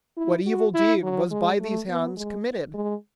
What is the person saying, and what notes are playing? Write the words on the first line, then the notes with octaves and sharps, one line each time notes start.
What evil deed Was by these hands committed?
E4
F#4
E4
F#3
G#3
A3
B3
G#3
G#3